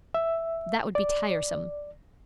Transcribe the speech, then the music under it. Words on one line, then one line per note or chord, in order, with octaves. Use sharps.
That would be tiresome.
E5
D5